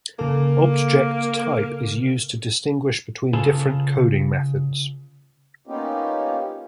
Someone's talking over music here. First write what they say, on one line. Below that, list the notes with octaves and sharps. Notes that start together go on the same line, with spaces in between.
Object Type is used to distinguish between different coding methods.
C#3 A#3 A4
C#3 F4 G#4 A4 B4
A#3 B3 C#4 D#4 F4 G4